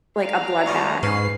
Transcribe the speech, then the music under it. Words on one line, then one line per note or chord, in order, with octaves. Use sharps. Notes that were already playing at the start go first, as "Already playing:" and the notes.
like, a bloodbath.
D5 F5 A#5
F#2 D#3 G3
G#2 C#4 B4 C7